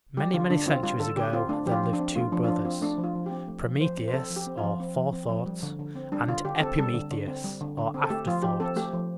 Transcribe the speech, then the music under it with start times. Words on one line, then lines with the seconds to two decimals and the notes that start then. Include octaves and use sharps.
Many, many centuries ago there lived two brothers, Prometheus or Forethought, and Epimetheus or Afterthought.
0.17 G3 G4
0.34 D3 F4
0.50 D3 D4
0.67 C4 F4
0.83 G3 F4
1.00 D3 A4
1.16 D3 G4
1.33 C4 F4
1.49 A3 D4
1.66 F3 G4
1.71 F4
1.83 F3
1.93 D4
1.99 C4
2.16 A3 F4
2.32 F3 D4
2.44 F4
2.48 F3 D4
2.65 C4 F4
2.81 A3 D4
2.98 F3
3.04 F4
3.15 F3
3.26 C4 G4
3.48 A3
3.65 F3
3.81 F3 C5
3.98 C4
4.08 C5
4.13 C4 A4
4.30 F3
4.36 G4
4.47 C4
4.58 F4
4.64 F3
4.80 C4
4.97 F3
5.13 C4
5.29 F3
5.46 G3
5.63 D3
5.79 D3
5.96 C4
6.12 G3 D4
6.28 D3 F4
6.45 D3 G4
6.61 C4 A4
6.78 G3 A4
6.94 D3
7.11 D3
7.28 C4
7.44 G3
7.61 D3
7.77 D3
7.94 C4
8.04 A4
8.10 A3 G4
8.27 F3 F4
8.43 F3 G4
8.60 C4 A4
8.76 A3 G4
8.93 F3